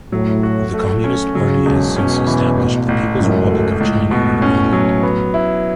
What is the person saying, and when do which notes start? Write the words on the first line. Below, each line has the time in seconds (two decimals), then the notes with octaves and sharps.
The Communist Party has since established the People's Republic of China on the mainland.
0.12 A2 F#3
0.43 F#4
0.73 A3
1.04 C#4
1.35 C#3 F#3
1.66 E1
1.97 B2 C#4
2.27 E3
2.58 A1
2.88 A1
3.19 C#2 F#2
3.50 A3
3.80 C#2 A2
4.11 B2
4.42 C#4
4.73 F#3
5.03 B3
5.34 E4